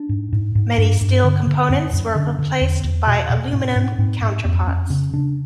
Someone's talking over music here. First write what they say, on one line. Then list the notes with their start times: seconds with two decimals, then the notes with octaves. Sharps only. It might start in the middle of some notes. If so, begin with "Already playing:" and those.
Many steel components were replaced by aluminium counterparts.
Already playing: D4
0.09 G#2
0.32 G#2
0.55 G#2
0.78 G2
1.01 G2
1.24 D3
1.47 D3
1.70 F#2 C#4
1.93 F#2
2.15 D3
2.39 D3
2.61 E2
2.84 E2
3.07 B2
3.30 B2
3.53 G#2 C#4
3.76 G#2
3.98 G#2 C4
4.22 G#2
4.44 F2 B3
4.67 F2 C#4
4.90 C#3 C#4
5.13 C#3 D4